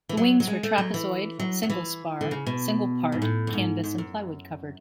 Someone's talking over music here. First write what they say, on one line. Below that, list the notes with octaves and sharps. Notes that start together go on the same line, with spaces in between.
The wings were trapezoid, single-spar, single part, canvas and plywood covered.
E3
F#3
F#3
G#3
A3
F#3
E3
F#3
F#3
E3
D3
C#3
B2
G#2
A2
F#2
G#2
G#2
F#2